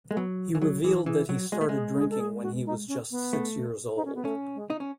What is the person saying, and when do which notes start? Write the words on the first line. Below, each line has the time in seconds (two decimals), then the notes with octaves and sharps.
He revealed that he started drinking when he was just six years old.
0.10 G#3 A3
0.16 F#3 B3
0.55 E3
0.61 F#3 G#4
0.84 E3 G#4
1.06 E3 G#4
1.29 F#3 F#4
1.52 G#3 F#4
1.61 A3
1.69 G#3
1.75 G#4
1.98 G#4
2.10 A4
2.20 G#4
2.42 F#4
2.66 D#4
2.88 C#4
3.11 B3
3.33 A3
3.96 D#4
4.05 C#4
4.15 B3
4.24 A3 C#4
4.55 G#3
4.70 D#4
4.80 C#4